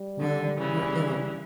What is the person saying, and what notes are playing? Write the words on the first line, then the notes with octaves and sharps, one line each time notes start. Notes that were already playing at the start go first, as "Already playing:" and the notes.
Well or ill....
Already playing: G3
D3
C#3 E3